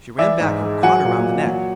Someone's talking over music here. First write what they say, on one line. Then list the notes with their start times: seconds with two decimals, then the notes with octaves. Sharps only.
She ran back, and caught her round the neck.
0.18 E3 D5 E5
0.40 G#2
0.61 G#3
0.83 F#3 F#5 G#5
1.05 A#2
1.26 A#2
1.47 F#3